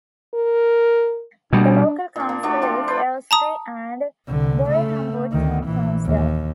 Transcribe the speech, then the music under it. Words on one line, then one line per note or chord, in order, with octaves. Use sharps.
The local council is Elstree and Borehamwood Town Council.
A#4
B2 G3 D4
A#2 D4
A#3
A3 D4 F#4 D5
F3 C4 F4
D4 B4 C5 D5
A5 A#5 D#6
C2 D3
C#3 A3
D2 D#3
A#1 E3
D#2